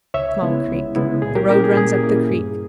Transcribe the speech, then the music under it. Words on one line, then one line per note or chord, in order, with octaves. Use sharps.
Small Creek.--The road runs up the creek.
C#2 C#5 E5
C#3 G#3 B3 E4
C#2
C#3 G#3 B3 E4
A#2 G#4
G4 A#4
A#3 C#4 E4 G4 A#4
G#4
A#2 G#4
A#3 C#4 E4
G2